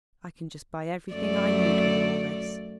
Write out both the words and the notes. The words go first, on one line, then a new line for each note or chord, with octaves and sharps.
"I can just buy everything I need with all this."
F#2 A3 D5